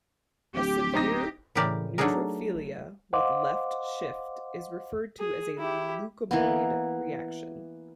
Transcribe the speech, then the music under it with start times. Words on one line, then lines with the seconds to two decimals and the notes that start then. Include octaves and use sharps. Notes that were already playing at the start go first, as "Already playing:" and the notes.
A severe neutrophilia with left shift is referred to as a leukemoid reaction.
0.55 D1 G4
0.94 C4 D#4 A#6
1.55 A2 C#3 E3 G4 A#4 D5
1.98 F#3 A3 D4 D#4 G#4 A#4
3.13 C5 D#5 F5 F#5 C6 D6
5.19 G#4
5.58 E4 G4
6.31 E3 A#3 B3